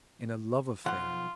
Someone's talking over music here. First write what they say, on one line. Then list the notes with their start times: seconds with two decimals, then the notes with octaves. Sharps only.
In a love-affair.
0.86 B1 F3 F4 F#5